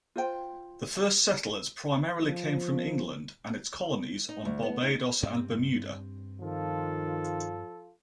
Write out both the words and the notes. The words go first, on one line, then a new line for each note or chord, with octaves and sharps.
The first settlers primarily came from England and its colonies on Barbados and Bermuda.
F4 C5 G5
F3
D#4
D2
B3
D#4
G2 C4
D#3 F3 F4 A4